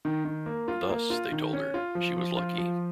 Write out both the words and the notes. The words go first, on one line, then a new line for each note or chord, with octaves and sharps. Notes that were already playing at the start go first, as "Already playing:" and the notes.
Thus, they told her, she was lucky.
D#3
D#3
A#3
F4
A#3
F4
D#3
C#4
F4
F3
F3
F4
F3